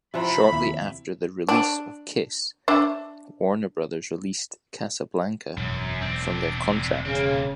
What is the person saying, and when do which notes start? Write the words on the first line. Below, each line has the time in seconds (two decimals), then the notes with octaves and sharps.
Shortly after the release of "Kiss", Warner Brothers released Casablanca from their contract.
0.14 C3 F3 E4 C5 F#5 A#5 B5
0.52 D#2 E4
1.48 D4
2.68 D4 E5
5.58 E1 F#2
6.02 C4 D4
7.06 C#3 A#3 C4